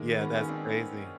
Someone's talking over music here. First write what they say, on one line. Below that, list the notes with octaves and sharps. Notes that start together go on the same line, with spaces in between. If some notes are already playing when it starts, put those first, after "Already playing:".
Yeah. That's crazy.
Already playing: D#3 G#3 A#3
B3 C#4
C#4 D#4
C4 D4